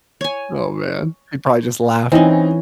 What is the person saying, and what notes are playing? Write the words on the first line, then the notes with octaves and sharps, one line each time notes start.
Oh, man. He'd probably just laugh.
C#5 G#5
E3 C4 C#4 D#4